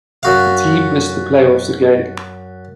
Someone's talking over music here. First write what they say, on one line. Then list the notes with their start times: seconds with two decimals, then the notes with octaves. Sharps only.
The team missed the playoffs again.
0.23 F#2 F#4 F5